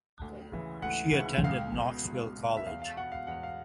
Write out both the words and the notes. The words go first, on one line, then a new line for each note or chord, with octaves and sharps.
She attended Knoxville College.
D2
C#3 E3
D2 F#5
C#3 E3 F#5
C#2 F5
B2
C#2
B2
E5
E2 F5
F5
B2 F#5
F5
E2 F#5
F5